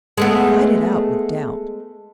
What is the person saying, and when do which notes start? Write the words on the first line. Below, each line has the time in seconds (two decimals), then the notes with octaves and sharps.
Fight it out with doubt.
0.17 G#3 A3 B3